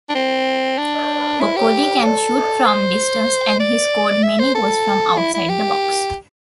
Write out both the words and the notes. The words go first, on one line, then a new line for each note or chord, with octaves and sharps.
Boccoli can shoot from distance, and he scored many goals from outside the box.
D4
C4
D4
E4
G4
A4
C5
D5
E5
C5
A4
E4
E4
G4